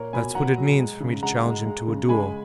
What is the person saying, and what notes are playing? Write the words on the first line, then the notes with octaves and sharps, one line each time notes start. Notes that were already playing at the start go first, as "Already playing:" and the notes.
That's what it means for me to challenge him to a duel.
Already playing: A#2 A#3 A#4 C#5
B2 G#5 B5
B2 F#5 A#5
F#3
G#3
C#3
G#3 F#5 A#5
G#3
G#3
C#3
G#3 G#5 B5